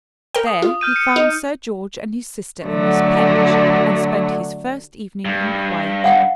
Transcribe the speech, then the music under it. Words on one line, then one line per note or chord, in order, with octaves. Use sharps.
There he found Sir George and his sister and Miss Penge, and spent his first evening in quiet.
A#4 G5
D#6
F4
F6 G6 D#7
C#7
D#4
D3 F#3 A3
G2
F5 F#5